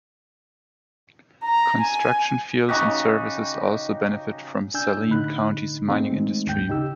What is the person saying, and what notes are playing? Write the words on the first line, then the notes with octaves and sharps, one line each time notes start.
Construction fields and services also benefit from Saline County's mining industry.
A#5
G#5
C#3 D#4 F#4 G4
D4 G#5 E6 G6
A2 D3 D#4 B5 F#6
D#3 G#3 A3 C4 D#4
D#2 G#2 G5 G6
C#3 D#4 G4 E6